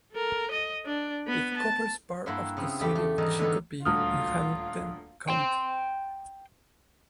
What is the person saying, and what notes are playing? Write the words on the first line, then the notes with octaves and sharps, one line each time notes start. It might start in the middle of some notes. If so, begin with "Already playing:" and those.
It covers part of the city of Chicopee in Hampden County.
A4 A#4
D#5
D4
B3 B5
A5
G2 A#3 E4 F#5 B5 C6
C#3 B3 C4
E2 A3 G4 G5 B5
A3
E2 G#2 D#3 E3 G3 D#4
D3 E3 B3 D#4 B4
D#1 D2 F4 D#6 F6
G5 C6